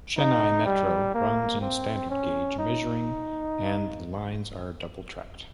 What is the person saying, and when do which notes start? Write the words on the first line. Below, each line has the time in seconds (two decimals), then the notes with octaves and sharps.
Chennai Metro runs in standard gauge measuring and the lines are double-tracked.
0.17 D#4
0.66 G3
1.14 A#3
1.61 C4
2.10 C#4
2.59 D#4